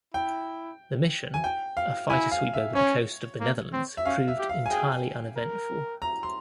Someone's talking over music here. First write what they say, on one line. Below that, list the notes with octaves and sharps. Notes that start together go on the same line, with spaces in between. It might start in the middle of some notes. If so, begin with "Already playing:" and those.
The mission, a fighter sweep over the coast of the Netherlands, proved entirely uneventful.
E4 G5
G#5
G5
F5
E4 G#5
F5
E5
C#4 C#5
A#3
C4
E5
C#4 F5
E5
G4
F5
G#5
G#4 G5
A#4
A#5
C6